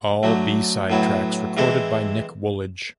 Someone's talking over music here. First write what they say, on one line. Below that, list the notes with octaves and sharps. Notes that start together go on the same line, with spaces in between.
All b-side tracks recorded by Nick Woolage.
D3 F#3 A3
A2 F#3 B3 E4
E3 G#3 C4 E4 A4